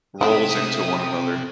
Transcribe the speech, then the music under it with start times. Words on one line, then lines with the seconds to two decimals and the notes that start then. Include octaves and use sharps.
rolls into one another.
0.21 C4 D#4 E4 G4 G#4 E5 D#6